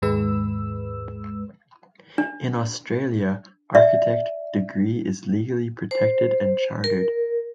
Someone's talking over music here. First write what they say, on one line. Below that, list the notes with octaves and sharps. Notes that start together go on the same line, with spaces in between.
In Australia, Architect degree is legally protected and chartered.
D#2 G#2 G#3 B4 E6
D4
D5 E5
C5
A#4